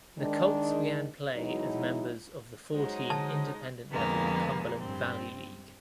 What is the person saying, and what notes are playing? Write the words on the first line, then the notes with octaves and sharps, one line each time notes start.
The Colts began play as members of the four–team Independent level Cumberland Valley League.
D#3 G#3 D4
B2 E3 F#3 G#3 D#4 E4
F#3 G#3 D#4 F#4 C5
D3 A5
F2 D3 F3 G#3 A#3 B3
G2 C4